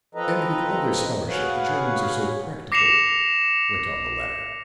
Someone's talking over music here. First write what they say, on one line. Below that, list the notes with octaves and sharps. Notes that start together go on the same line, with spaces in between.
"And, with all their scholarship, the Germans are so practical," went on the latter.
F3 C4 A4 B4 D#5 A#5
F#4 G#4 B4 C#5 F5 F#5
D6 A#6 C7 C#7 E7 F7